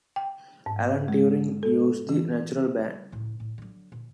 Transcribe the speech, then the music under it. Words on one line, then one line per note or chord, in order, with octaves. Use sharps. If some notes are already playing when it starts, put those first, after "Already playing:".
Alan Turing used the "natural ban".
G5
G#2
G#3
A4
E3
C#3 G3
C#2 A2
A2
D3 F#3
A#2